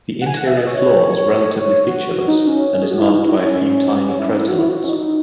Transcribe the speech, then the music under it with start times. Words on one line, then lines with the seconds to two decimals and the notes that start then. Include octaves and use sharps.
The interior floor is relatively featureless, and is marked by a few tiny craterlets.
0.21 F#5
0.26 G#5
0.37 F#5
0.47 E5
0.57 D#5
0.67 C#5
1.07 C#5
1.88 F#4
2.28 D#4
2.47 C#4
2.82 G#4
2.91 F#4
2.99 E4
3.08 D#4
3.18 E4
3.28 F#4
3.38 C#4
4.19 E4
4.29 D#4
4.39 E4
4.49 F#4
4.59 E4
4.69 F#4
4.84 C#4
4.89 D#4